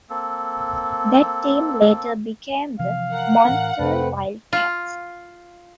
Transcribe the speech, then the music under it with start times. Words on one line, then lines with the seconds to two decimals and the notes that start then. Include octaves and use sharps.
That team later became the Moncton Wildcats.
0.10 A#3 C4 A4
2.79 C3 E3 F3 F5
3.12 A#4 F#5
3.46 A2 E3 C#4
3.79 F2 C3 A3 C4 B4
4.53 F4